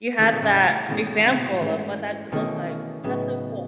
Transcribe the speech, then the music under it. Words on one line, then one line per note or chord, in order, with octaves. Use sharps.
you have that example of what that could look like. That's so cool.
B2 D#3 E3 A3 C#4 G#4
B2
A2 C#3
G#2 B2 E3 A3 C#4 G#4
D#3
C#3
B2
A2
G#2 E3 A3 C#4 G#4
B2 D#3 E3 A3 C#4 G#4
A2 C#3 F#3 B3 D#4 G#4 B4